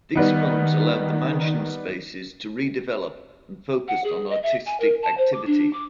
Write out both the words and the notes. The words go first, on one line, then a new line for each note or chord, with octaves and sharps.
These funds allowed the Mansion spaces to re-develop and focus on artistic activity.
D#3 G3 B3 D#4
F#5
G#4
D#5
E5
G#5
A#4
A5
C5
D6
D4
D6